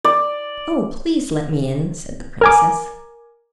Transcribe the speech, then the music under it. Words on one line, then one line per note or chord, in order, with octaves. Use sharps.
"Oh, please, let me in!" said the princess.
D5
A#4 G#5 D6